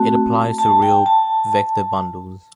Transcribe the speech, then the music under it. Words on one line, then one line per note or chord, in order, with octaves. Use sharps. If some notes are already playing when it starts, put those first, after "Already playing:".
It applies to real vector bundles.
Already playing: A3 C4 F#4 A5
A5
G5
A5